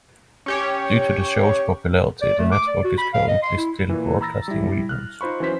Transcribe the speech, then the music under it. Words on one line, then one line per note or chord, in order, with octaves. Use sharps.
Due to the show's popularity, the network is currently still broadcasting reruns.
C#4 G4 C#5
D5
A3
D6
D5
F#4
B5
F5
D#5
C6
E4
A#2 E3
A#5 B5 E6 A6 A#6
G3 E4
F6 F#6
D#4 F4 C5 B5 C#6
E3 F#3 C#4 C5 B6